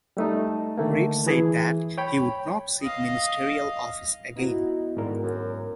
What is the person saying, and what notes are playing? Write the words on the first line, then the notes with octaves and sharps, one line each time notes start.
Reed said that he would not seek Ministerial Office again.
G3 A3 D#4
D3 D#3 A3 A#3
E3 G#4
C#5 G5 B5
D#5 F5
B3 D#4 E4 F#4
G#2 D3 A#4
F#2